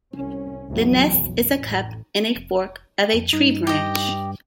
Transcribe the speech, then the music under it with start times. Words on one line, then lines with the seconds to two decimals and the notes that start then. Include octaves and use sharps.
The nest is a cup in a fork of a tree branch.
0.15 C2 C#4
0.69 C#2 G2 E3 F#3 B3
1.07 B1 F2
1.59 A1
2.36 F1
3.14 F2
3.33 G2 D#4
3.67 G4 D#5